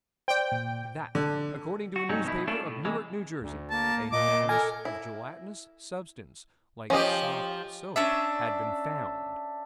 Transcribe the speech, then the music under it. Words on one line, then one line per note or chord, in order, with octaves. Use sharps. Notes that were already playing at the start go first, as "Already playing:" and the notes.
That, according to a newspaper, of Newark, N.J., a mass of gelatinous substance, like soft soap, had been found.
C5 D5 G5
A#2
D3
F#4
G2 C3 F#3 C#4 D#4
B2 D#3 A#3 D#4 E4
A3 C#4 D4 F4 A4
A2
C3 E3 G#3
D2
A#3 A5
A#2 D#5 D6
A4 A#4 G#5
E4
F3 C#4 G4 D#5
C#4 D4 D5 E5